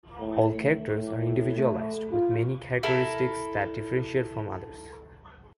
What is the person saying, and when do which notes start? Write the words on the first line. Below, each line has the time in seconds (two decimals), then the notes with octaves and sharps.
All characters are individualized, with many characteristics that differentiate them from others.
0.20 A2
0.55 A3
0.97 A2
1.57 A3
2.12 F4
2.83 E4 A4 A#4